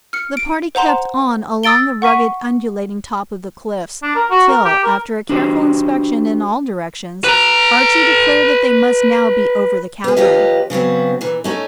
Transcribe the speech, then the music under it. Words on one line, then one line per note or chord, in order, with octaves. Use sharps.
The party kept on along the rugged undulating top of the cliffs, till, after a careful inspection in all directions, Archy declared that they must now be over the cavern.
F6 C#7
D7
C5 F#5 A#5 C6 E7
D#6 E6 A6 D7 G7
F#5 C#6 B6 D#7
D4
A#4
F#4
A#4
G4
A#4
D4 F#4 G4 C5
B4 A#5
B3 G#4
D#2 F3 F4 G4 B4 D#5
C#3 F#3 B3 C4
A#2 E3
A3 C#4 D#4